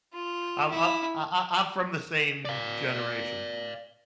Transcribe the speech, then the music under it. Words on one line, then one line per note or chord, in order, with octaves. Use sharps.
Um, uh, I I I'm from the same generation.
F4
E4
D5 F5